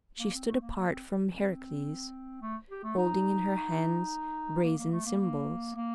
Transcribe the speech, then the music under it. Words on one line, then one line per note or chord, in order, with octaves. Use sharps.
She stood apart from Heracles, holding in her hands brazen cymbals.
A#3
C4
A3
A#3
A#3
C4
C4
A3
G4
A3
D#4
A#3
A#3
A3
A#3
A#3
A#3